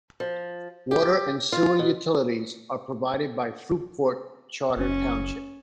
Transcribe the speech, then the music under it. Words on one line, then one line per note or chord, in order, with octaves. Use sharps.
Water and sewer utilities are provided by Fruitport Charter Township.
F3
G4
F4
B2
F#1 C#4